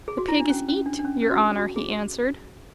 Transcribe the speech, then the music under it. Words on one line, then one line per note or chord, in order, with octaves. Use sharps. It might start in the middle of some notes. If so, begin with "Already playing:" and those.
"The pig is eat, your honor," he answered.
G#4
F#4
E4
D4
C#4
C#4
D4
D4
C#4
C#4
F#4
G#4
F#4
G#4